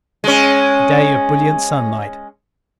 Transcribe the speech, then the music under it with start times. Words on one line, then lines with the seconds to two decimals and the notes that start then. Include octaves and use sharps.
A day of brilliant sunlight.
0.24 G#3 C#4